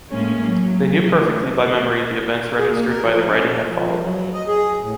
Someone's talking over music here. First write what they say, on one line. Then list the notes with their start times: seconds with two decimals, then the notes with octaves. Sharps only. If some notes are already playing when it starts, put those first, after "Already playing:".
They knew perfectly by memory the events registered by the writing that followed.
0.11 A2 G#3 A#3 C#4
0.46 F#3
1.15 D3 A3
2.58 G#4
2.70 A#3
2.89 A#4
3.04 F3
3.28 C#4
3.46 A4
3.70 F3
4.02 F#3
4.34 D#5
4.48 G#4
4.82 A2